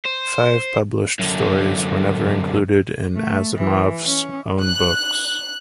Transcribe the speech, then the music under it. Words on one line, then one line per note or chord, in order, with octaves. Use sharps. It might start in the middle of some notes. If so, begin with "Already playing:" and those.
Five published stories were never included in Asimov's own books.
C5
F#2 D3
A3
E3
C#4
F#6